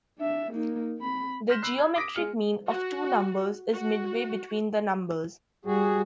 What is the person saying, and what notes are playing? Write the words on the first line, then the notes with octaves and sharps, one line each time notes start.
The geometric mean of two numbers is midway between the numbers.
D4 E5
A#3 D#4
C4 B5
C6 F6 G6 A#6 B6 E7
B5 E6 F#6 C7
B5 G#6
D6 D#6 A#6 B6 D7
G#3 G#4 F6 C#7
F#4
F#4
G3 F#4 G#4